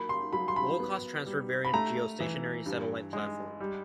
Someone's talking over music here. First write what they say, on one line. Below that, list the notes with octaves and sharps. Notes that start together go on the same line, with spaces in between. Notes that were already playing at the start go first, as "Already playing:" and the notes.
Low cost transfer variant geostationary satellite platform.
Already playing: F#3 A#3 B5
C6
F#3 B5
C6
B5
B3
G3
B5
A3 A#5
E3
G2
G#3
G3